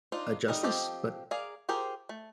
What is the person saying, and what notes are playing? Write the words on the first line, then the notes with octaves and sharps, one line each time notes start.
a justice, but
D4 D#4 F4 C5
G3 D#4 A#4 D#5
F3 C4 G4 A4 D#5
G#4 A#4 D5 F5
F4 G4 G#4 A#4 C5
A3